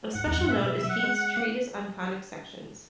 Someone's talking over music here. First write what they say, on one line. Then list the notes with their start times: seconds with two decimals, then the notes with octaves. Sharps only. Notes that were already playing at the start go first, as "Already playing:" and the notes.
Of special note is Heath's "Treatise on Conic Sections".
0.14 G#2 F#5
0.26 E2 F#5
0.37 F#2 F#5
0.48 G#2 E5
0.59 B2 E5
0.74 E5
0.81 F#3
0.89 F#5
1.04 G#3
1.37 A#3